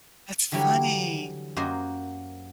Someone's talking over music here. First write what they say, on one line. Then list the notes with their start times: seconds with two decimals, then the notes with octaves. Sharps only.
That's funny.
0.52 D3 E3 F#3 G3 C#5
1.57 F#2 A#3 F#4 C5 D#5 C6